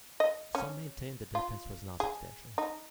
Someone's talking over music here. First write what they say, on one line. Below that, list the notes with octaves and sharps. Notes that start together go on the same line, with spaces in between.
Some maintain the difference was not substantial.
D#5
C#4
F4
G#4
D#4